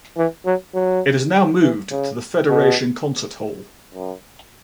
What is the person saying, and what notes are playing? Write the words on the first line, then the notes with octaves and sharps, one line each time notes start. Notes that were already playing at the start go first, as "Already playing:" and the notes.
It has now moved to the Federation Concert Hall.
E3
F#3
F#3
E3
C#3
B2
F#2